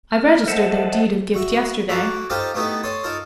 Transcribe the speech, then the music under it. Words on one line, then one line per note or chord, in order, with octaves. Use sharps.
"I registered their deed of gift yesterday."
F6
A4 C5 D#5 E5 F#5 A5
F#4 E5
A#3 E4 F#4 A4
D#4 F4 G4 A4 C5 F5
A3 B3 D#4 E4 G4 A4
A4 C#5 C6 D#6
D#4 F4 A4 A#4 A5